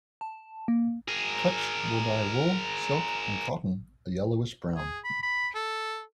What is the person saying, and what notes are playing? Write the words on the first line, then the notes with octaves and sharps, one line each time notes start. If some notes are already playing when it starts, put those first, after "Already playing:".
Cutch will dye wool, silk, and cotton a yellowish-brown.
A5
A#3
G#4 A#4
G#4
B5
B5
A4